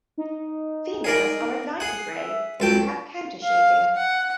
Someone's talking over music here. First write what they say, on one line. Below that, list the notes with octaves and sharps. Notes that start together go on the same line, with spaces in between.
Females are a lighter gray and have countershading.
D#4
G#4 A#4 D5
G#4 F#5 C7
E5
C#2 F#3 A4 G5
F5
F#5